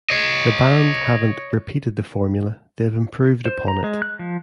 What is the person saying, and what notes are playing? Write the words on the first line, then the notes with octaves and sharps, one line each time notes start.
The band haven't repeated the formula, they've improved upon it.
C#5 D#5
C5
A#5
G#3
F#6
F3